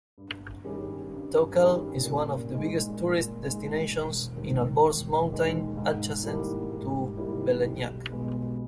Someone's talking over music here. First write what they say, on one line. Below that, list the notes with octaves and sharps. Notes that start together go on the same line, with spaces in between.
Tochal is one of biggest tourist destinations in Alborz Mountain adjacent to Velenjak.
G2
D#3 G3 C#4 G#4
G2
D#3 G3 C#4 G#4
A#2
G#3 D#4
A#2
G#3 D#4
E1
D#2 D#3 G#3
E1
D#2 D#3 G#3
G#2
D#3 G3 A#3 E4
G#2
D#3 G3 A#3 E4
B1
B2 G#3 B3